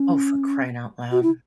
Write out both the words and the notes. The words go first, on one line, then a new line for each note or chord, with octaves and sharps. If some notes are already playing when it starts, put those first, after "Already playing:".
Oh, for crying out loud.
Already playing: C#4
F#4
E4